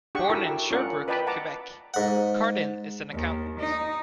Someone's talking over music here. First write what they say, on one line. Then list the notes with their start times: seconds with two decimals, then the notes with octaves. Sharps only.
Born in Sherbrooke, Quebec, Cardin is an accountant.
0.15 D4 G4 G#4 F#5 C#6
0.29 E4 F#4 G4 A4 A#4
0.71 C#4 F4 A#4 D5 F#5
1.08 B4 D5 D#5 G5 A5 B5
1.27 F#5 A5 A#5 D6
1.94 G#2 F#5
3.13 D#2
3.60 D#4